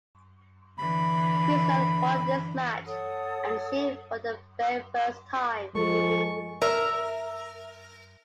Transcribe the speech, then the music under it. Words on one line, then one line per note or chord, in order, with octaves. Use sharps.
Queensland won this match and the Shield for the very first time.
D3 E3 B5
A4 C#5 F#5 D#6
F3 G#3 A4 C#6
A#4 E5